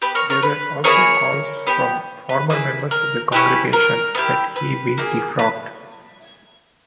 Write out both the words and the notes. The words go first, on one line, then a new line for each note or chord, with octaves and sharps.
There were also calls from former members of the congregation that he be defrocked.
B3 G4 B4
A#4 C#5
A#4 C#5
B4
B3 E4 G#4 A#4 C#5
B3 G4
B4
A#3 E4 G#4 B4
A#4
C#4 E4 G4 B4
A#4
B3
E4 G4
B4
A#3 D#4 G#4
B4